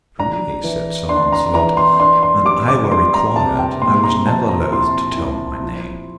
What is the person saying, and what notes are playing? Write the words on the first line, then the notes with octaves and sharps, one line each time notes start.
Truly, said Sir Launcelot, an I were required I was never loath to tell my name.
D4 A#5
E3
D4 C6
A#5
E3 A#5
C6
D4 C6
C6
G3 D6
D6
G3 C6
A#5
C3 A5
G5
A#2 C6
A#5
F3 A5
A#5
E4 C6
E4
F3